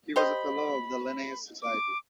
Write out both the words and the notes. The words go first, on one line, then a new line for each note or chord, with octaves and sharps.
He was a fellow of the Linnaeus Society.
G4 C5 D#5 B5
D6